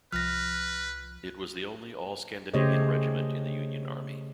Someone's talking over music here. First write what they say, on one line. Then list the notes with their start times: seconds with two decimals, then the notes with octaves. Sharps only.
It was the only all Scandinavian regiment in the Union Army.
0.13 C2 F3 B4 F6 A#6
2.54 C#3 A3 G4 C5 C#5 D#5